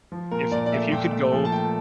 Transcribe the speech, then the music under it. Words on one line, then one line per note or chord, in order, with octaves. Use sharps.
if if you could go
F3
A#2 A#4
A#2 D5
D5
A3 E5
A#2 G5
A3
F3
A5
A3 G5